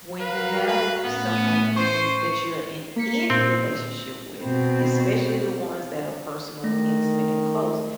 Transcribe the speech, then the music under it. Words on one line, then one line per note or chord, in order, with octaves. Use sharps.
When you have someone in that you're in any relationship with, especially the ones that are personal and intimate and close,
F#4 A#4 B4 F5
B4
A2 A3 B3 C#4
C#7 D#7
C5 C#6 C7
A#3 B6 C#7
A#2 C4
B2 C4
D#3 A3 A#6